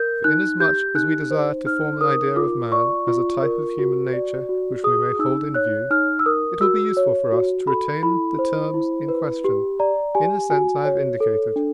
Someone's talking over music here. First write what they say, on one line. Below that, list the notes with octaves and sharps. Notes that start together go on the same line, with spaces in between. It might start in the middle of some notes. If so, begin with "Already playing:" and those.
For, inasmuch as we desire to form an idea of man as a type of human nature which we may hold in view, it will be useful for us to retain the terms in question, in the sense I have indicated.
Already playing: A#4 G6
D#4 F#6
G4 G6
D#4 F#6
C5
D#4 F6
A#4 D#6
F4 D6
D5 C#6
F4
A#4
F#4
D5
F#4
G#4 D#6
D#4 E6
C#5 F#6
D#4 F6
E6
A#4 D#6
F#4 E6
C#5
F#4
A4 B5
E4 B5
C5
E4
B4
G4
D5 A#5
G4 G#5
F#4 G#5
C#5
A4
D4